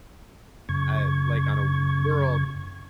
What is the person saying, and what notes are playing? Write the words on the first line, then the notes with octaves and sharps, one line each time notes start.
Uh, like, on a w world
F#2 C#3 C#6 G#6